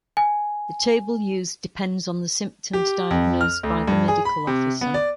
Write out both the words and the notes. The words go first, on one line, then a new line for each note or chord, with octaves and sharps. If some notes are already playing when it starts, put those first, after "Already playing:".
The table used depends on the symptoms diagnosed by the medical officer.
G#5
G4
F2
F6
D2
G2
G#4
B5
C3
B3
D5